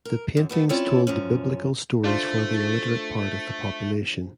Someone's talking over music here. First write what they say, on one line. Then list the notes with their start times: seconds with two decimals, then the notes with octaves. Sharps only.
The paintings told the biblical stories for the illiterate part of the population.
0.05 A#4
0.37 F#2
0.49 A3 B3 F#4
0.69 C4 C#4 E4 F4 C#5 D5
1.07 F#2 F3 C#4
2.04 A3 D4 F4 C5